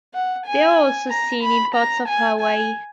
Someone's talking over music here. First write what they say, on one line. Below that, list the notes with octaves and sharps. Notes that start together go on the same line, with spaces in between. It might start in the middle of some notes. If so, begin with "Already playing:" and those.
They are also seen in part of Hawaii.
F#5
G#5
A#5
B5
A#5
G#5
G#5